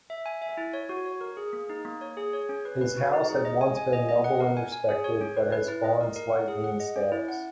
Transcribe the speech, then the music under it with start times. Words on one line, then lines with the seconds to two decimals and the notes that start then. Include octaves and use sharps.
His house had once been noble and respected, but has fallen slightly in status.
0.10 E5
0.26 G#5
0.42 E5
0.57 E4
0.74 C#5
0.89 F#4
1.05 C#5
1.21 A#4
1.37 G#4
1.53 A#3
1.69 D#4
1.85 A#3
2.01 C#5
2.17 G#4
2.33 C#5
2.49 C#4
2.65 B4
2.81 B4
2.97 F#4
3.13 D#4
3.29 G#4
3.45 D#5
3.61 G#5
3.77 G#5
3.93 D#5
4.09 D#5
4.24 F#5
4.40 A#4
4.57 G#5
4.72 G#5
4.89 G#4
5.04 C#5
5.21 C#4
5.37 B4
5.52 B4
5.68 E4
5.84 D#5
6.01 A#4
6.16 A#4
6.32 F#5
6.48 G#4
6.64 F#5
6.80 D#5
6.96 C#4
7.12 E4
7.28 F#5